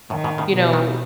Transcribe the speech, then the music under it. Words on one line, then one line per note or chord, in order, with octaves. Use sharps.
you know,
F#2 A2 D#3
G#2 B2
A2 C#3
B2
D#3 F#3